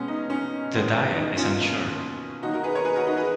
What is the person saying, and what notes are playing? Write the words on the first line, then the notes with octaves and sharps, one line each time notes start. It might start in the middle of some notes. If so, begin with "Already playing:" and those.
The diet is unsure.
Already playing: B2 G#3 B3 C#4
D#4
C#4
D#3 G#3 B3
D#4
C#4 F4
B2 A#3
D#3 A#3 D#4 F#4
F#4 A#4
G#4 B4
A#4 C#5
G#4 B4
F#4 A#4
D#4 F#4
G#4 B4